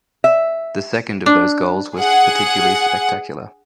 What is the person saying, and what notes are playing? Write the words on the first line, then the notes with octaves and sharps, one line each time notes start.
The second of those goals was particularly spectacular.
E5
D4
G#4 F#5